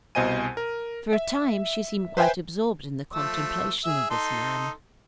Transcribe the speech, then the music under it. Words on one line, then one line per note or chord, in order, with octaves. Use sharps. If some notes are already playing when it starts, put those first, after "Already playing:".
For a time, she seemed quite absorbed in the contemplation of this man.
C2 B2 C5 D#5 G#5 D#7
A#4
E5
B4 C5 E5 G5 G#5
F3 A3 E6
G#4 E5
D#4 A4 C6